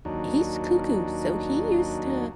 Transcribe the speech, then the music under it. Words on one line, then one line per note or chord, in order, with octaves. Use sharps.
He's cuckoo. So he used to
D#2 F#3 D4 D#4